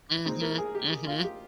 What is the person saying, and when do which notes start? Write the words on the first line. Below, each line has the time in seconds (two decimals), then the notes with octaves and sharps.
Mhm, mhm.
0.25 A#2 G#3 C4 D#4
0.41 A#4
0.58 G#4
0.75 G4
0.91 G4
1.07 F4
1.24 G4